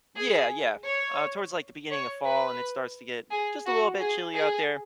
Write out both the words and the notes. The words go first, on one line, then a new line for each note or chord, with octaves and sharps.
Yeah, yeah, uh, towards, like, the beginning of fall, and it starts to get just a little bit chilly out there.
G#4
C#5
C#5
B4
G#4
F#4
G#4
G#4